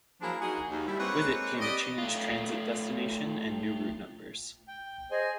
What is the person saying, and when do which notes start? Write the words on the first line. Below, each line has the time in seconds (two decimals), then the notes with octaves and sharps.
With it came a change transit destination and new route numbers.
0.21 F3 F#3 A#3 D4 E4 G#4
0.40 A#3 D#4 F#4 G#4
0.68 D#2
0.86 G3 E4
0.99 G#3 A#3 C4 B4 C#5 F#5
1.61 G4 B4 D5 D#5
1.98 A3 F4
4.68 G5
5.11 G#4 C5 D#5 G#5